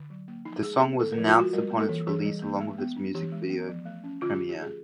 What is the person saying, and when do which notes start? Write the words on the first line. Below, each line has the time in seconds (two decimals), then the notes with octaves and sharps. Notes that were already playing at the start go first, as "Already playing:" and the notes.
The song was announced upon its release along with its music video premiere.
Already playing: D3
0.10 F#3
0.28 A#3
0.45 F3 D#4
0.63 G#3 G#4
0.81 B3
0.99 D3 A4
1.12 F3 A#4
1.27 F4
1.36 G#3 F#4
1.53 G3 A#4
1.71 A#3
1.80 A4
1.89 E3
2.07 E3 G#4
2.24 G3
2.42 A#3
2.60 G#3
2.78 B3
2.96 D4
3.15 E3 G4
3.32 G#3
3.50 B3
3.68 F3
3.86 A3
4.04 C#4
4.22 D3 F4
4.35 F3 G4
4.49 G4
4.57 A3 G#4